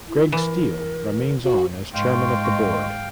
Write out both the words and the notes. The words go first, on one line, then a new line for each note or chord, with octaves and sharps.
Greg Steil remains on as chairman of the board.
E4
E3 A#4
F#4 F5
G#2 D#5 F5 G5 C6 C#6